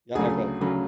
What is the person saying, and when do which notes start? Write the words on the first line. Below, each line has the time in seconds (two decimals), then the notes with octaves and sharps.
Yeah I will tha
0.15 D2 C#3 F#3 A3 G#4
0.61 D2 C#3 F#3 A3